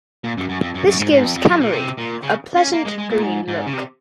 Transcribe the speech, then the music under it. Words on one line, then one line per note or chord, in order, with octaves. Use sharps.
This gives Cammeray a pleasant green look.
A#2
F#2
F#2
F2
F#2
F#2
G#2
G#2
F2
F2
F#2
A#2
C3
A#2
C#3
C#4
A#3
G#3
G#3
A#2
G#2
G#2
C#3
C3